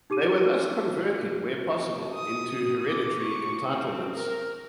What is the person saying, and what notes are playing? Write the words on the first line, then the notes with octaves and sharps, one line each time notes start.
They were thus converted where possible into hereditary entitlements.
D#4 G4 D6 D#7
D#6
D6
C#6
C4
A#4